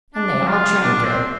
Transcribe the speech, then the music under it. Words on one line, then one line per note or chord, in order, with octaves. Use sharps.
And they all drank it.
D4
F4
D4
C4